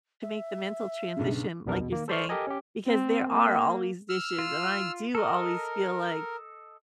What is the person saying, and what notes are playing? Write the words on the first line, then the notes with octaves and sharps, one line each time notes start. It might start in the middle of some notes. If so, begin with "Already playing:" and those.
to make the mental transition like, you're saying, because there are always dishes, and I do always feel like
E5
B1 G2 C#3
B1 F2 G3 B3 D4 A#4
E2 B2
D#3 A#3
A4 C5 D5 C6 C#6 F6
G4 A4 A#4 D#5 G#5
C#4 G4
C4
A#3
E6 F6
F4
A4 A#4 D#5